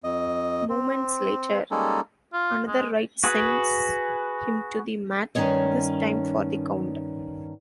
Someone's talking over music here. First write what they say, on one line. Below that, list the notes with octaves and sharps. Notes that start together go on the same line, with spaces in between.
Moments later, another right sends him to the mat, this time for the count.
F2 D#5
C4
G3 G#3 A#3 C#4 D#4 A4
F4
G#3
F#4 G#4 B4
G2 D#3 F#3 C#4 C#5 D#5